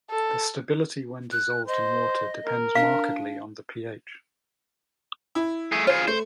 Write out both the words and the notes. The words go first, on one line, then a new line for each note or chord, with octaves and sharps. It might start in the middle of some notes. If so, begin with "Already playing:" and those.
The stability when dissolved in water depends markedly on pH.
A4
F#6
C5 D#5
A#4
D4 F5
E4
A3 G#4
F4 G#4 C5
A3 C5